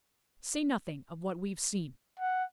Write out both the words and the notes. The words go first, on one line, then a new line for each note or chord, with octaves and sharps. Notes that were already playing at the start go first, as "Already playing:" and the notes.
Say nothing of what we've seen.
F#5